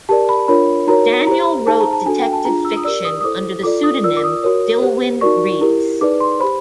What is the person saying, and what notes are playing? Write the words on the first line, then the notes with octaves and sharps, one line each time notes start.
Daniel wrote detective fiction under the pseudonym Dilwyn Rees.
G4 A#4 D5 A5
B5
D4 F4 A#4 C#5 B5
D#4 F#4 A#4 C#5 A#5
G4 C5 A#5
D#4 G#4 C5 A5
A#5
A5
D4 F#4 A4 G#5
G5
A5
D4 F4 G#4 A#5
E6
D#6
G4 A#4 D5 E6
D#6
D#6
E4 A4 C5 D6
F4 A4 D5 D6
D#6
F4 A#4 D5 E6
D6
D#6
F#4 A#4 C#5
G4 C5
D#4 F#4 A#4 D5 C#6
E4 G4 A#4
D#4 G#4 B4 D5 D6
C6
G4 C5 B5